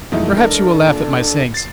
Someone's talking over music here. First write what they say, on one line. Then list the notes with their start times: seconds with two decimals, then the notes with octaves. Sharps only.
Perhaps you will laugh at my saying so.
0.12 F#2 B2 E3 F3 G#3 A3 D#4 E4
0.37 D4 A4 A#4
0.87 A#2
1.54 A6 C7